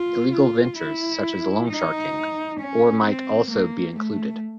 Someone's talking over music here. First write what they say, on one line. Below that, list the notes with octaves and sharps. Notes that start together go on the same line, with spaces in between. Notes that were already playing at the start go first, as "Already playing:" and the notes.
Illegal ventures such as loansharking, or might also be included.
Already playing: F4
F4
E4
D#4
C#4
C4
A#3
A3